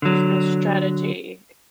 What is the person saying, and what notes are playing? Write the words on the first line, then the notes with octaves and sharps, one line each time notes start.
There's real strategy,
D3 F#3